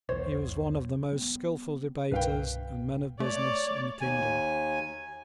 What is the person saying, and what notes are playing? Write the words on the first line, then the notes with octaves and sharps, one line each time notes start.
He was one of the most skilful debaters and men of business in the kingdom.
B1 E2 C5 C#5
G3 B3
C2 G2 B2 G3 B4 F5 G5
A3 C#5 D5
D#2 G#5